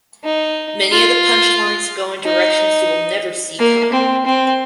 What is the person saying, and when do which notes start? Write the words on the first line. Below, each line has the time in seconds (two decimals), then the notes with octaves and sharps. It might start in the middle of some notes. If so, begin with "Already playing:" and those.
Many of the punchlines go in directions you will never see coming.
0.24 D#4
0.91 F4
2.25 D#4
3.59 A#3
3.92 C4
4.25 C4